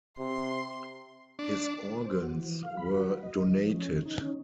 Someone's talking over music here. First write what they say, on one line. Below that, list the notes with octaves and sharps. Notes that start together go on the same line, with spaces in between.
His organs were donated.
C3 C6
D4
C5
F#4
E3
F5
B5
F#4
D#5
F3
C#4
D#3
D#4
C#4